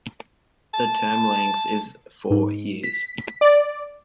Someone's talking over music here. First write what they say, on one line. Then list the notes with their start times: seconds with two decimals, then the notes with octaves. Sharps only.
The term length is four years.
0.74 A5
2.30 G#2
2.83 B6
3.41 D5